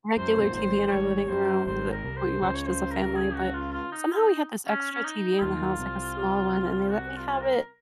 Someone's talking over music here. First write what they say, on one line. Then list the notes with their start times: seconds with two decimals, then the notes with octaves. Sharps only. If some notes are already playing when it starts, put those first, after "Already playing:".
regular TV in our living room that we watched as a family, but somehow we had this extra TV in the house, like a small one, and they let me have it
0.17 F#2 C5
0.37 C3
0.46 A#2
0.54 G#1 G#2 C5
0.86 C5
0.91 G#1 G#2 C#5
1.29 F#2 C5
1.66 G#1 G#2 C5
1.91 A#4
2.04 C2 C3
2.17 C5
2.42 C#2 C#3 C5
2.55 C#5
2.67 C5
2.91 A#4
3.16 G#4
3.35 F#4
3.54 F4
3.73 F4
3.92 D#4
4.12 F4
4.17 D#4
4.67 C#4
4.92 C#4
5.04 D#4
5.41 D#2 D#3 F4
5.79 C2 C3
6.91 F#4
7.17 F4
7.41 A#4